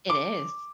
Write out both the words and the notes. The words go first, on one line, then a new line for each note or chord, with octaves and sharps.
It is.
D6